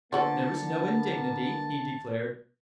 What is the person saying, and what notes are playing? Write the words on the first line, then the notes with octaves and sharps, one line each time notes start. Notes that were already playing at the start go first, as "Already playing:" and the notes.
"There is no indignity," he declared.
D3 F3 A#3 B3 D4 F#4 A4 A5